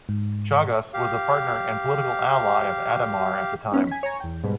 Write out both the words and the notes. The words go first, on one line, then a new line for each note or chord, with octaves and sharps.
Chagas was a partner and political ally of Ademar at the time.
G#2
G4 F5
B3 C#4 D#4
G#5 B6
C#5 G#5 A#5
E2 G5
G#2 B2 G3